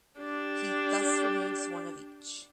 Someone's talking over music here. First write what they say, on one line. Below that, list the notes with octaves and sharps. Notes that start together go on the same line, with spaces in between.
He thus removes one of each.
D4 G4